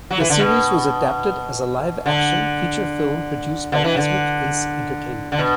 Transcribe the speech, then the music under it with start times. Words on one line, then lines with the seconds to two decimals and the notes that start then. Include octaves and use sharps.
The series was adapted as a live-action feature film produced by Asmik Ace Entertainment.
0.11 F#3
0.20 E3
0.30 D3
0.39 B2
2.06 D3
3.72 D3
3.84 E3
3.97 D3
5.32 D3
5.38 B2